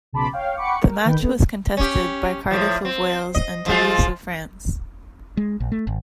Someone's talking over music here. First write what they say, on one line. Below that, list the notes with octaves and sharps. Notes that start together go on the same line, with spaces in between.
The match was contested by Cardiff of Wales and Toulouse of France.
B1 C#3 A5 B5 C6 D6
C#5 F5 G5
F#5 G5 B5 C#6 D6 C#7
A#4
D#3 B4 G5 G6
A3 B3
C#4 G4
A2 F3
C4
D#5
F3 G#3 F4
G#3
A#1
A3
G#1